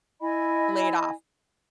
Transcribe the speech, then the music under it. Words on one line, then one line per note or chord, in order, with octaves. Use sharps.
laid off.
E4 D#5 G#5 B5